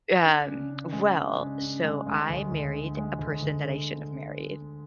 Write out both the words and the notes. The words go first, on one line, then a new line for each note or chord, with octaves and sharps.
Um, well, so I married a person that I shouldn't have married.
D4
C#3
C#3
G#3
D4
C#3
C#3
G#3
G#3
D2
D2
D3
G#3
D2
D2
D3